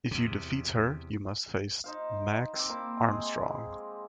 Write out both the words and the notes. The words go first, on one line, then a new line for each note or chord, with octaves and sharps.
If you defeat her, you must face "Max Armstrong".
E2 C3
D#4 C5 F5
C4 E5 D6
A#3 E4 C5
G#3 G#4